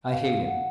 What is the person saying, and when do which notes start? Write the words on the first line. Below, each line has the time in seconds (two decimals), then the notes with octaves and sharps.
I hate him!
0.04 E5
0.10 F5
0.46 F#5